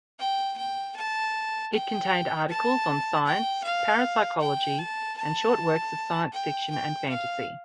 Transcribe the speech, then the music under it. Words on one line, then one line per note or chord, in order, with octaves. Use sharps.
It contained articles on science, parapsychology, and short works of science fiction and fantasy.
G5
G5
A5
G5
A5
G5
F5
G5
A5
A5
G5
G5
F5